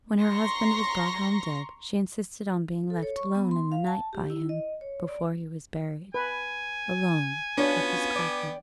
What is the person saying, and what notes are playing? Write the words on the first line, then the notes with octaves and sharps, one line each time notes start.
When her husband was brought home dead, she insisted on being left alone in the night by him, before he was buried alone,--with his coffin.
A#5 C6 C#6 A#6
A4
C#5
C#6
B3
C6
F5
A5
G4
E4
D#5
C#5
D5
B4 G#5
B3 C#4 D4 F4 F#4
D5 G5